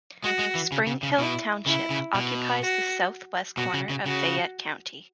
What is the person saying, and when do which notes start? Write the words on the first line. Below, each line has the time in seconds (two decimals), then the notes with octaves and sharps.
Springhill Township occupies the southwest corner of Fayette County.
0.24 G#3 F#4
0.39 G#3
0.55 E3
0.72 C#3
0.87 C#3
1.03 C#3
1.18 B2 E4
1.66 C#3 E4
1.90 C#3
2.15 B2
2.62 F#4
3.57 B2 F#4
3.74 C#3
3.89 C#3
4.05 C#3 F#4